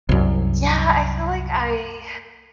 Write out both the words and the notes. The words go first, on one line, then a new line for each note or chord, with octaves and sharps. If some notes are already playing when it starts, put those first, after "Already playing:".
Yeah. I feel like I
C2 F#2